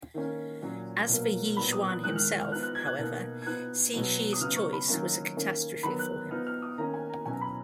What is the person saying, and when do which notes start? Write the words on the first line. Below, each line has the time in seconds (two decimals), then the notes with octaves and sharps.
As for Yixuan himself, however, Cixi's choice was a catastrophe for him.
0.14 D#3 A#3 C#4
0.62 A#2 F#3 C#4
1.09 B2 F#3 A#3
1.57 A#2 F#3 B3 B5
1.73 D#6
1.88 F#6
2.04 D#3 G#3 D#4 F#6
2.16 F6
2.39 F6
2.51 F3 B3 D#4 F#6
2.63 F#6
2.75 G#6
2.87 F#6
2.99 B2 A#3 D#4
3.42 G#6
3.46 F3 B3 D#4 F#6
3.94 B2 F#3 B3
4.33 D#6
4.41 C#3 F#3 B3 D#4 F6
4.56 C#6
4.73 B5
4.88 D#3 F#3 A#3 C#4
5.37 D#3 A#3 C#4
5.83 D#3 F#3 B3 B5
5.99 F#6
6.31 F3 B3 D#4 F6
6.47 F6
6.62 D#6
6.78 D#3 A#3 C#4 A#5
6.94 G#5
7.10 A#5
7.26 B2 F#3 C#4 G#5
7.34 A#5
7.41 B5